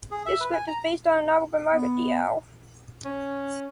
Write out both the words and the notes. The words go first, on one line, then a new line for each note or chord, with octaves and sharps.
The script is based on a novel by Margaret Diehl.
G#4
E5
B4
G#5
A#5
B3
C#4